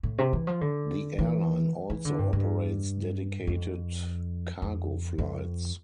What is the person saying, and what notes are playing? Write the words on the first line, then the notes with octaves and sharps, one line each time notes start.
The airline also operates dedicated cargo flights.
A2
C3
E3
F3
D3
E3
E3
D3
G2
G2
F2
F2
F2